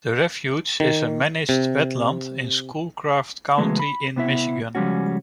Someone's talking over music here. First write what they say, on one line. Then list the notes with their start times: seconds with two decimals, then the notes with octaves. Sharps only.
The refuge is a managed wetland in Schoolcraft County in Michigan.
0.80 D#3
1.49 C3
3.57 C#3 E3 F#3 G#3 A3 B3
3.79 B5
4.16 C3 B3 E4 E5
4.75 C#3 F3 G3 G#3 C#4 F#4